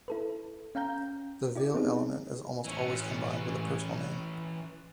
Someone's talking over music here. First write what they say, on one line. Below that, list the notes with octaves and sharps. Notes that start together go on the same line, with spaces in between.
The "-ville" element is almost always combined with a personal name.
E4 A4 B4
C#4 F5 G5 A#5 G6
E4 G4 D5
B3 C4 D#4 G#4
A1 E3 C#4